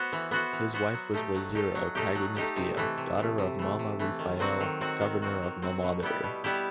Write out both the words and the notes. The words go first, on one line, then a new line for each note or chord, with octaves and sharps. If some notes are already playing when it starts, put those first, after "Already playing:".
His wife was Woizero Tagunestiya, daughter of Mama Rufa'el, Governor of Mamameder.
Already playing: B3 F#4 C5
E3
B3 F#4 C5
E3
B3 F#4 C5
F#3
A3 D#4 G4
F#3
A3 D#4 G4
F#3
A3 D#4 G4
F#3
A3 D#4 G4
C3
E3 A3
C3
E3 A3
C3
E3 A3
C3
E3 A3
D#3
F#3 C4 F#4
D#3
F#3 C4 F#4
D#3
F#3 C4 F#4
D#3
F#3 C4 F#4
B2
G3 B3 E4 G4
B2
G3 B3 E4 G4